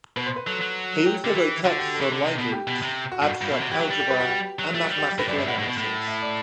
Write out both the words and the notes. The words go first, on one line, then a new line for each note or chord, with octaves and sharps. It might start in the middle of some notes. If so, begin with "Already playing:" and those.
He also wrote texts on Lie groups, abstract algebra and mathematical analysis.
B2 B4
C5
B4
F#3 A4
F#3
G4
D3
E3
D3 F#4
G4
A4
E3
D3
C3
B2
G4
B2
C3
F#4
G2
G2
B2
C3
E3 G4
F#3
G3
G4
B4
F#4
G4
F#3
A3
F#3
G3
G4
G4
A2 B4
F#2 D5
G2 E5
A2 F#5
A2
B2
A2
E5
D5